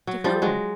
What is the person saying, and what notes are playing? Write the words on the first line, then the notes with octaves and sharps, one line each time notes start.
"To whom?"
F#3
F3 G3
F#3 G#3